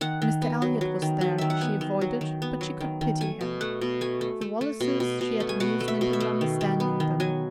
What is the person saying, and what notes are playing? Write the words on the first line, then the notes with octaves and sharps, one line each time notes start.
Mr Elliot was there; she avoided, but she could pity him. The Wallises, she had amusement in understanding them.
D#3 F#5
D#3
B3
F#3
F#3
D#3
F#3
D#3 E5
F#5
B3 G#5
D#3
F#3
D#3
B3
F#3
D#3
D#3
A3 G#5
B2
A3 F#5
B2
A3 G#5
A3
A3
A3
B2
B2
B2
A3
G#5
B2 F#5
A3
E5
B2
E5
A3
D#3
D#3
B3
D#3
F#3 G#5